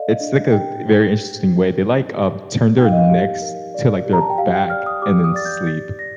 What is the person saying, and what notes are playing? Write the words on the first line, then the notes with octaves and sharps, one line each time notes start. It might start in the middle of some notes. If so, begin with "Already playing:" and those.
it's, like a very interesting way, they, like, um, turn their necks to, like, their back and then sleep.
Already playing: A4 D5 D#5 F5
D4
G4 G5
C5
G4
C5
D#4
G4
D5
D#4 G5
F5
D#5
F5
G4 F5
A#4
D5
G4
A#5
A5
G5
G4 F5
G5
D5 F6
D#6
G4 D6
D#6
D5 A6
G6
G4 A6
D5 A#6